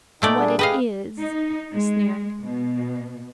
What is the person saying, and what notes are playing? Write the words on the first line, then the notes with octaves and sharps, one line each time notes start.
"What it is," he sneered.
A#2 A3 D#4 D5 G5
G3 D4 G#4
G4 G#4 B4 D#5 F5 G5
D#4
G#3
B2